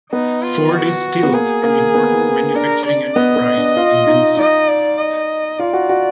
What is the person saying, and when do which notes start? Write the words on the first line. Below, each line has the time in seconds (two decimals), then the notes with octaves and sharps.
Ford is still an important manufacturing enterprise in Windsor.
0.12 B3 D#4
0.43 F4
0.73 F#4
1.23 B3
1.33 A#3 G#4
1.63 A#3
1.94 B3
2.55 D4 A#4
2.86 D5
3.15 B3 D#5
3.36 B3
3.57 D4
3.77 F4
4.07 D#4
4.37 D#4 D#5
4.68 D5
4.98 D#5
5.59 F4 D5
5.73 F#4
5.89 F#4